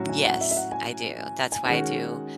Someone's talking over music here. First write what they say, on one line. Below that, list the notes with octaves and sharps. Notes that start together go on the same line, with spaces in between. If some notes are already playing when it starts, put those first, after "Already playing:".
Yes. I do. That's why I do,
Already playing: A2 F#3 C#4 F#4
G#5
F#5
E5
E5
F#5
G#5
G#5
D#3 G#3 C#4 F#4 F#5